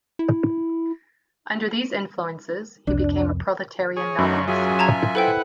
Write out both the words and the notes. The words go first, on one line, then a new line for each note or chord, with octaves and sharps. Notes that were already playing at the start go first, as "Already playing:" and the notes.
Under these influences he became a proletarian novelist.
E4
C2 F2 D4
G#4 C#5
F#2 A3 D#4 F#4 C#5
F#3 F4 G#4 E5 G#5
A5 A#5 G#6
E4 A4 B4 C5 F#5 G5